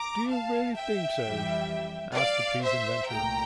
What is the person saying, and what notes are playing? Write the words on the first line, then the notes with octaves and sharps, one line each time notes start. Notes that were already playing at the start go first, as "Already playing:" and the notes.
"Do you really think so?" asked the pleased inventor.
Already playing: A#5 D6
F5 A5
E5 G5
F2 E3 G3
D5 F5
C5 E5
C2 A#2 A3 G5 A#5